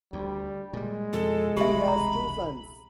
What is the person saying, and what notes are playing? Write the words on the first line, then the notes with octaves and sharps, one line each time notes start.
He has two sons.
D2 G3
A#2 G3 G#3
F2 B2 A4
E1 C2 C#3 G4 E5 B5
A#5